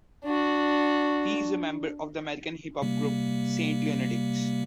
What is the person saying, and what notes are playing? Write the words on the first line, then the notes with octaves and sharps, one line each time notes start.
He is a member of the American hip hop group Saint Lunatics.
D4 F#4
C3 G3 A#3